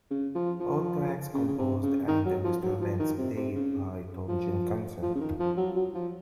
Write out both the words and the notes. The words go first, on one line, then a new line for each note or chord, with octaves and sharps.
All tracks composed and instruments played by Tom Jenkinson.
C#3
F3
F3
C#3
C#3
C3
C#3
D#3
F#3
F3
F#3
F3
D#3
C3
C3
C#3
F3
F3
C#3
D#3
F3
F#3
F#3
F3